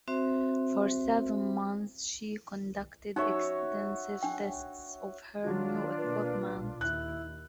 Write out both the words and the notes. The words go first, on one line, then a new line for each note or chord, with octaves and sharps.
For seven months she conducted extensive tests of her new equipment.
C4 F#4 C5 E5
D#4 F#4 C#5 E5 C#6
D4 G5
D#3 F#3 D4 F4 F#4
B2 A#3 B4
B1 A#2
D#2 E4 F#6